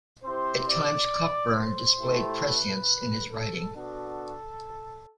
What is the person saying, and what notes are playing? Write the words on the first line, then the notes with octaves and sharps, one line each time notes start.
At times Cockburn displayed prescience in his writing.
C4 E4 G4 C5
D5
C5
A3 E4 G4
B4
A4
B3 D4 F#4 A4